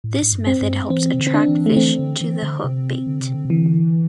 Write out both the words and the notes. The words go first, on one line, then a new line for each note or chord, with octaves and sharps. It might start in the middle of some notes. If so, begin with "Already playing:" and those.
This method helps attract fish to the hook bait.
A2
A2
G2
C4
G2
E3 C4
C3
D3
C4
D4
E3
A3
D3
E3 C4
D3
E3
D3
C3
D3
C3
D3
C3
D3 E3